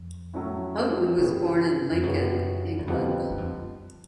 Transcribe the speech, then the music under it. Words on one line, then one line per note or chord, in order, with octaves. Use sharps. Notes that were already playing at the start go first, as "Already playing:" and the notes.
Houghton was born in Lincoln, England.
Already playing: F2
A2 F#3 A3 C#4 E4
G2 C#3 E3 G3 B3
F2
F#2 C#3 E3 G3 B3
E2
F2 D3 G3 B3 D#4
F#2
F2